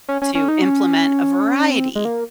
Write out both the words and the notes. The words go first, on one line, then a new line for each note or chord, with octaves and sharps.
to implement a variety
C#4
C#4
C#4
D#4
C#4
C4
G#3
A#3